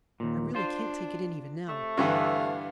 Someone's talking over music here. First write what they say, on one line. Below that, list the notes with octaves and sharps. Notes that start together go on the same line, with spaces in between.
I really can't take it in even now....
D#2 A#2
D4 F4 C5
C3 A3
G2 D3 E3 F5